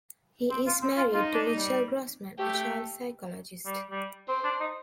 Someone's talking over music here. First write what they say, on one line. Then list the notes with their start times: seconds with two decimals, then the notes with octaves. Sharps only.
He is married to Michal Grossman, a child psychologist.
0.50 C4
0.66 F4
0.82 C4
0.97 F4
1.13 D#4 F4
1.34 D4
1.55 G3
2.39 A3 G4
3.65 G3
3.91 G3
4.28 C4 C5
4.44 D4
4.60 D#4